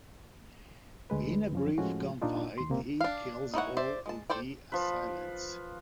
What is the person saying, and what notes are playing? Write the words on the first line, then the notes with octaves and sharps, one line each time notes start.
In a brief gunfight, he kills all of the assailants.
D2 G#3 B4
F#2 F3 C#4
A2 F3 G#3 A3 C#4 F#4
A#2 A#3 D4 D#4 F4
D#2 C6
C#2 C3 A#3 C4
D4 F5
D#4 E4 C#5 F#5
C5 D5 E5
G#3 A5
A4 C5 D5 G5
F3 B4